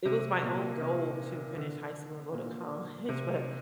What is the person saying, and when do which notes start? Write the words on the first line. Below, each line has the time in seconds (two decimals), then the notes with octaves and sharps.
it was my own goal to finish high school, and go to college. But
0.05 C3
0.43 A#2
0.81 C3
1.57 D3
2.33 A#2
3.09 C3